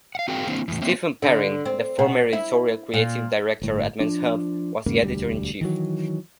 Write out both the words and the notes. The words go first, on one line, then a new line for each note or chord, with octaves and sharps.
Stephen Perrine, the former editorial creative director at "Men's Health", was the editor-in-chief.
F5 F#5
C4 F#4 G#4 A#4 F5 G5
D#3 A#3 C4 D4 E4 C5
E2 A2
A#3 C4 C#5 E5
D3
C4
B2
E4
A#2
G1 A2
F3 D4
E2 G#2 C#3 A#3
E1 D2 G3
D#3 E3 F#3